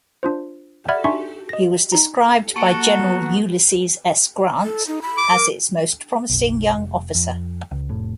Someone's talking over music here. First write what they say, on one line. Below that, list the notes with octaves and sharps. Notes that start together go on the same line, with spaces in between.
He was described by General Ulysses S. Grant as its most promising young officer.
D4 F4 C5
D5 E5 F#5 B5 F6 G#6
D4 D#4 E5 G#5 C6 C#6
D#5 A#6
D#4 A#5
A#3 F#4 A4 F#5 A#5 C#6 C#7 D7
F#3 B3
A4
D#4
B5
D6
A#4
F#1 B1
F1
F2
C#2
F1 A2